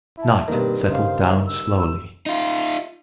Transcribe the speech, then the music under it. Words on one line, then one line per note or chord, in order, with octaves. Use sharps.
Night settled down slowly.
E4 A5
G2 B2 D#3 A#3 C4 A#4
C#3 C5 D#5 F5
E6
D#4 F4